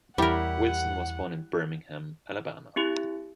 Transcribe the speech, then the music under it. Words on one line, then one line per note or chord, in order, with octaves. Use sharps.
Wilson was born in Birmingham, Alabama.
E2 G3 E4 G4 A#4 C#5 F#5
C4 E4 G4